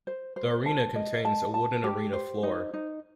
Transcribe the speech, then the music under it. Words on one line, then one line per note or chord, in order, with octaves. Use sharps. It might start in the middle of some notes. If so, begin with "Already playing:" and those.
The arena contains a wooden arena floor.
C5
C5
A5
D#5
A5
A5
G4
C5
D#4
D#4